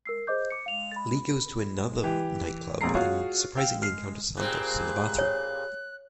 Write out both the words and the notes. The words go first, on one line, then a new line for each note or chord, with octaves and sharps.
Lee goes to another nightclub and surprisingly encounters Santos in the bathroom.
A#4 E6 C7
G#4 C5 D#5 D6 G6
D6 C#7
F5 F7
B5
E3 G4
E1 A#1 F2 A#5 C7
F4 F#4 G#4 C#5 F5
F5 G5 E6
F6 C7
A#2 C4 G4 G#4 B5 F#6
C#5